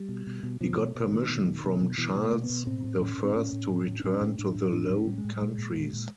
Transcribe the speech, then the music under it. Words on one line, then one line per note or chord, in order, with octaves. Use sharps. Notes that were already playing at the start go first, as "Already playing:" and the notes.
He got permission from Charles the First to return to the Low Countries.
Already playing: G3
B2
B2
B2
B2 F3
B2
B2
D#3
B2
B2
B2
B2
B2
B2 E3
B2
A3
B2
B3
B2
A2 C4
A2
A2 C#4
A2
C4
A2 C#4
A2
A2
A2
D4
A2 C#4
A2
A2 D4
A2
A2 D4
A2
C#4
A2 G3
G#3
A2
G3
A#2 G#3
A#2
A#2
A#2